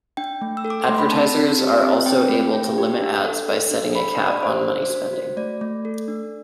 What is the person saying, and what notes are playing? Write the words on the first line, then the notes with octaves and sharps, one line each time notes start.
Advertisers are also able to limit ads by setting a cap on money-spending.
D4 G5
A3
E6
A4
D6
A3 C6
B5
C4 A5
C4
G4
C4
C4 G5
A3
A3
G4
D4
A4
A4
D4
D4 B5
B5
D4
D5
D4 C5
D4
F#4
F#4
A3 D5
A3
A4
D4